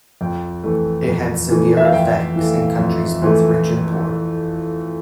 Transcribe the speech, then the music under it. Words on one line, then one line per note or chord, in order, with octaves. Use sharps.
It had severe effects in countries both rich and poor.
F2 G5
E3 A3
F2
E3 A3
E5
F5
F2 G5
E3 A3
F2
E3 A3